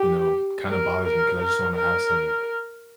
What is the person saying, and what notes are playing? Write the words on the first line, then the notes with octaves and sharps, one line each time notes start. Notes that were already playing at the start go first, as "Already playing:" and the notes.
you know, kinda bothers me 'cause I just wanna have some
Already playing: G4
A#4
A#4
A#4
A#4